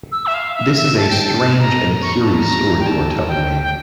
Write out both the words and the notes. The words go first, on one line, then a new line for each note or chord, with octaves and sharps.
This is a strange and curious story you are telling me.
E6
E5
F5
E5
E5
A5
G5
A5
A#5
C#6
A#5
A5
A#5
G5
A5
G5
G5